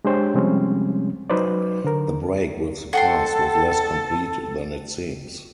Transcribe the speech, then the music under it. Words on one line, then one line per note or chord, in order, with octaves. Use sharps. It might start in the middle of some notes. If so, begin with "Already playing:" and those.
The break with the past was less complete than it seems.
G#3 D4 G4 C5 C#5 G5
C3 F3 G3 G#3 C4 C#4
F#3 D#4 B4 C5 D5
D3 A#4
A4 F#5 G5 C6